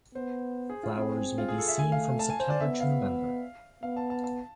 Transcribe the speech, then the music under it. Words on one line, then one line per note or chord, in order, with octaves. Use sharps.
Flowers may be seen from September to November.
B3 C5
G#4
F4
C4 G#4
G#4
F4
G#4
A4
E5
A3 G#5
F5
A5
G#5
C5
D5
B3 E5
F5
B3 F5
A5
A5
A5